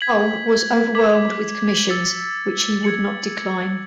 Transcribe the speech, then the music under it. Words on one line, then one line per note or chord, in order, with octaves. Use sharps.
Holl was overwhelmed with commissions, which he would not decline.
G#6 B6 F#7
D6 G#6 B6 F#7
E6 A6 C#7
G#6 C#7 F#7